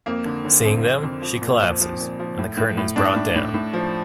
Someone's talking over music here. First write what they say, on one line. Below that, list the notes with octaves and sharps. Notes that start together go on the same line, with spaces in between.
Seeing them, she collapses, and the curtain is brought down.
F2 A#3
D3
D3
F2 C4
F2
F2
F3
A#2
F3
F3
A#2
F3
A2
A2
A2
A2 D4
A2
A2
A2
F3